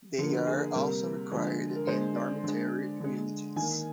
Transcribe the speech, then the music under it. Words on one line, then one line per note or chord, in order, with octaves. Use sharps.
They are also required in dormitory units.
D3 F3 A#3
A#4
G#4
C3 G3 A#3 A#4
D3 F3 G#3
A#4
D3 G#3 C5
D5
D3 G#3
D3 G#3
D#3 A#3 G#5